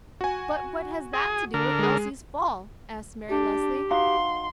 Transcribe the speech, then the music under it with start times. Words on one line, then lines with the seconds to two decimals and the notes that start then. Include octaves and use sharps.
"But what has that to do with Elsie's fall?" asked Mary Leslie.
0.21 F#4 G#5
1.14 G#4
1.54 D3 A#4
1.79 G#3 G#4
3.29 D4 G4
3.91 D#4 F#4 F5 C6